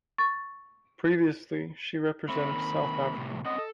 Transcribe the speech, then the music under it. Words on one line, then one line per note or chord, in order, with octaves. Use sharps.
Previously, she represented South Africa.
C#6 A6
A3 C4 B5
D#3 A#3 C4
A2 C3
C4 C#4 D#5 F#5
A4